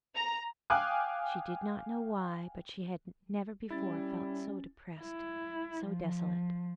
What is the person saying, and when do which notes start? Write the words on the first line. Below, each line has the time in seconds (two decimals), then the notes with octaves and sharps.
She did not know why, but she had never before felt so depressed, so desolate.
0.16 A#5
0.70 F5 G5 G#5 D6 D#6 F#6
3.70 G3 C#4 E4 A6
5.01 E4
5.86 F3